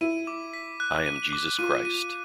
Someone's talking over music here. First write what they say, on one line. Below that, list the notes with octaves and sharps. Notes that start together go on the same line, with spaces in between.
I am Jesus Christ.
E4 D#7
D6
B6
F#6
D#7
D6
F4 D#7
D#7